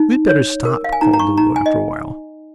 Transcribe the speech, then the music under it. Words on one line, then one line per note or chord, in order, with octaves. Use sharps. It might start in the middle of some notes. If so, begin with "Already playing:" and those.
"We had better stop," called Lulu, after a while.
Already playing: D#4
C#5
A#4
F5
G#5
D#4 A#5
A#5
C#6
D#4 A#5
G#5
D#5